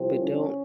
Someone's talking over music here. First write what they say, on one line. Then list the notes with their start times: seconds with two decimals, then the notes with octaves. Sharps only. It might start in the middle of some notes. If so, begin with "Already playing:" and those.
but don't
Already playing: C2 C3 F3 C4
0.14 C#4